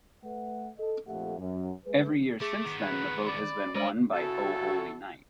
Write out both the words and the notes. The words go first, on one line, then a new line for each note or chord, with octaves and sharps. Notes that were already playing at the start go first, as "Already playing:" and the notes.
Every year since then the vote has been won by O Holy Night.
A3 B4 F#5
A4 D#5
A#1 F2 A3 G4 E5 F#5
F#2
G#3 A3 G#4 B4
A3 G#4 D6
D#3 B3
B4
D5 B5
G#3 A#4 C5 D5 D#5 F#7
C#3 E4 F#4 A4